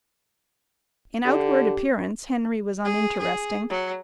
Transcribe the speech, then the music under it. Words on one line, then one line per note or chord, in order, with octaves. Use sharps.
In outward appearance Henry was uninteresting.
D3 G4
G#4
G#4
F#3